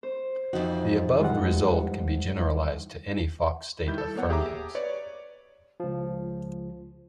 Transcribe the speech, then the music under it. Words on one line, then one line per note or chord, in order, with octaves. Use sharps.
The above result can be generalized to any Fock state of fermions.
C5
F2 E3 D#4 F#4
G2 G3 G#3 F4 F#5
D#3 G3 E4 G6
A4 E6
A#3 B3 C#5 F#5
G4 G#4 E5 A#5 D6
B4 C#5 D5
C#2 F3